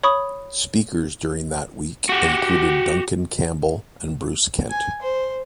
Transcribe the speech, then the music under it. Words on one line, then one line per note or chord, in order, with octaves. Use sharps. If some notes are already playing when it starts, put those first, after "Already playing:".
Speakers during that week included Duncan Campbell and Bruce Kent.
C#5 B5 C#6 D#6
F#4 G4
G#5
C5